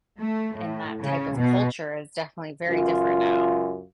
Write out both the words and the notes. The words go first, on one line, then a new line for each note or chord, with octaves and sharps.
and that type of culture is definitely very different now.
A3
A2
C#3
B2
C#2 F#2 F4